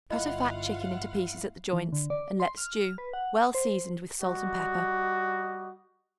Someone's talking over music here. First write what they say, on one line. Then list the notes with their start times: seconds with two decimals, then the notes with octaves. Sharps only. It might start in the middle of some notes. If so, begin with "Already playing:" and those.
Cut a fat chicken into pieces at the joints and let stew, well seasoned with salt and pepper.
0.11 G1 E4 F4 D#5 F5 F#5
1.73 E3
1.92 D3
2.10 D5
2.40 C6
2.57 F6
2.98 B4
3.13 F#5
3.55 C5
4.22 G3 F#4 D#5